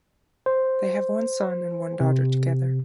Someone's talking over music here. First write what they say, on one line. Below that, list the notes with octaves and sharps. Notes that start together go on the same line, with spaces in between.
They have one son and one daughter together.
C5
C3